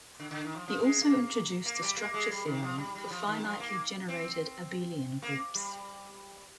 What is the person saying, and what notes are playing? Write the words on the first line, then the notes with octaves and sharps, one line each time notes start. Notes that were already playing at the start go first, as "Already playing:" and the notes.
He also introduced the structure theorem for finitely-generated abelian groups.
D3
D3
D#3
F3
F3
G#3
A#3
A#3
G3
A#3
G#3
G3
D#3
F3
G3
G3
F3
D#3
F3
A#3
C4
A#3
G3